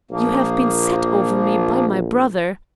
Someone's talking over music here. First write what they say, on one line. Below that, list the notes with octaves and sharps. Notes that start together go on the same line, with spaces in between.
You have been set over me by my brother.
A#1 F3 A#3